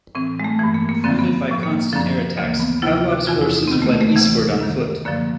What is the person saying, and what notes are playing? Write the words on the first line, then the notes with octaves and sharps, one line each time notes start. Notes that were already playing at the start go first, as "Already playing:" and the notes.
Hounded by constant air attacks, Pavlov's forces fled eastward on foot.
A2 E3 C4
G#3
A3
G2 E3 A#3
A#3
A#3
F#2 D3 F3 C4
B3
A2 F3
A#3
F#2 D3 F3
D2 C#3 E3 A#3
B3
D2 C3 F3 E4
F4
F#4
E2 C3 E3 F4
E4
D#4
C4
D2 C3 D#3 B3
A3
A#3
A3
D2 C3 E3
F#2 D#3
F#2 D3 F3 A#3